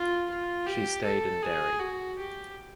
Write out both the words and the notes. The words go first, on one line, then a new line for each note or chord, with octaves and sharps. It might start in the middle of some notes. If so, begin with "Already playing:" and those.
She stayed in Derry.
Already playing: F4
F4
G4
A4
G#4
F#4
G4